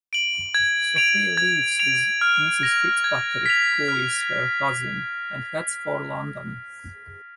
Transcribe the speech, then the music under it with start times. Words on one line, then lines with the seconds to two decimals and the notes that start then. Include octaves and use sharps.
Sophia leaves with Mrs. Fitzpatrick, who is her cousin, and heads for London.
0.13 D7 F#7
0.54 G#6
0.96 D7 F7
1.37 G#6
1.79 D7 F7
2.21 F6
2.63 A#6 F7
3.04 G#6
3.46 B6 F7
3.88 F6